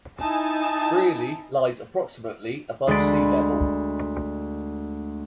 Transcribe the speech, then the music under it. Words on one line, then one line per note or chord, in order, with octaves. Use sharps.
Brierley lies approximately above sea level.
D#4 E4 G#5 A5
D2 G#3 B5 C6 A6 D7